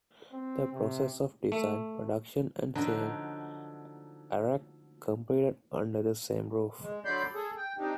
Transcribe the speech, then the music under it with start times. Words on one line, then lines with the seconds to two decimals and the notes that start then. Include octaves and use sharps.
The process of design, production and sale arec completed under the same roof.
0.32 C4
0.73 C3
1.52 A3
2.75 D3 F3 F#3 D4 D#4
6.82 G#3
7.05 D3 F#3 D5 B5 C6 G6
7.34 G#4 A4
7.57 G5
7.78 C4 D4 D#4 G4